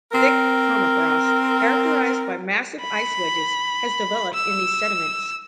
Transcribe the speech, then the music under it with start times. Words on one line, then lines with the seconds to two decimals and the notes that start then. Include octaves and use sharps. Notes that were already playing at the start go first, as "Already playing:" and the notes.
Thick permafrost characterized by massive ice wedges has developed in these sediments.
0.12 C4 A#4
2.81 B5
4.34 E6